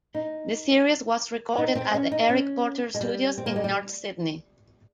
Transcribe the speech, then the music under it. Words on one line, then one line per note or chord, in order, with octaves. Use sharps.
The series was recorded at the Eric Porter studios in North Sydney.
D#4
D#4
C4
C#4
D#4
C#4
G#3
G3
C4
A#3
G#3
G3